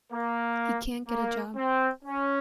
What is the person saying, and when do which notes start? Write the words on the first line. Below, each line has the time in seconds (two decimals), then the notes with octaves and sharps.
He can’t get a job.
0.13 A#3
1.08 A#3
1.56 C4
2.05 C#4